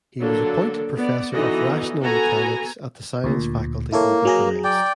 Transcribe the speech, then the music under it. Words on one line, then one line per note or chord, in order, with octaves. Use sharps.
He was appointed professor of rational mechanics at the Science Faculty in Bucharest.
D3 F#3 A#3 D4 A4
B3 D5
D3 E3 B3 D#4 F#4 D#5
B3 F#4 A4 G#5 A#5
D2 A#2
A#3 E4 A4 C#5
F#3 G#4 A#5
D5 G5